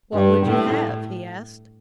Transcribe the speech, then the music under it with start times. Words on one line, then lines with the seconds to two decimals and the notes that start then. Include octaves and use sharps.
"What would you have?" he asked.
0.13 G2
0.46 A2